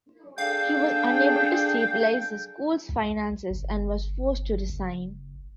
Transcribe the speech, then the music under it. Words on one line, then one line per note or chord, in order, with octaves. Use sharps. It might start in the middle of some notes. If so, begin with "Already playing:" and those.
He was unable to stabilize the school's finances and was forced to resign.
D4 G#4 A4 F5 G5
C2
G1
F#1